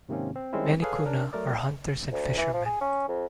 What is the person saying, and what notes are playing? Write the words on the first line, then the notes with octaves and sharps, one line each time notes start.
Many Kuna are hunters and fishermen.
G#2 C3 D#3 A#3 C4 C#4
C4
D#3 G3 G#3 C4 C#4 E4
G#4 A4 B4 C#5 F5
C#4 D4 A#4
F#3 A3 A#4 D5
D2
E3
F3
G#4
C#4
F2